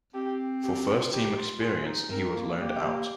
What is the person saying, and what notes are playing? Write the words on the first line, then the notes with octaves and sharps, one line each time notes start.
For first team experience he was loaned out.
C4 G4
G4
F4
D#4 G4
F4
F4 G#4
D#4
C4 A#4
A#3
A#3 G4
A#3